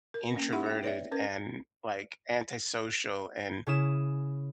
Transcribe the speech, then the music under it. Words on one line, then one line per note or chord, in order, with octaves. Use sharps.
introverted and, like, antisocial and
A#4
A#3 C#4
D#4 E4 G4 E5 F#5 B5
E5 G5
B4 C#5 D5 E5
C#4 A#4 B4
C#3 C#4 E4 D#6 E7